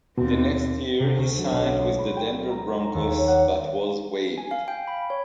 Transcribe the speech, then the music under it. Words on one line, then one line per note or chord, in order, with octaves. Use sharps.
The next year he signed with the Denver Broncos but was waived.
D#2 B2 C4
C3
D2
F#3
B1
C6
B5
G5
A#5
A#5
D#2
C#5
F#5
G#5
F5
G5
B5
C#5